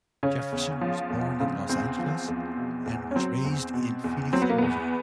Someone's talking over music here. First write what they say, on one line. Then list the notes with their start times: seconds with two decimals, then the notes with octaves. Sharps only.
Jefferson was born in Los Angeles and was raised in Phoenix, Arizona.
0.23 C#3 C#4
0.52 E2
0.81 F3
1.10 E2
1.40 C#3 C4
1.69 E2 C4
1.99 F3
2.28 E2
2.57 B2
2.86 E2
3.11 C#4
3.16 F#3 C4
3.45 E2
3.74 B2
4.04 E2
4.33 F#3 C4
4.42 B3
4.50 A#3
4.58 E2 B3